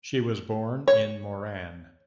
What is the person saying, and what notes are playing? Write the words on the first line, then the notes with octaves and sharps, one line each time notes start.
She was born in Moran.
C#5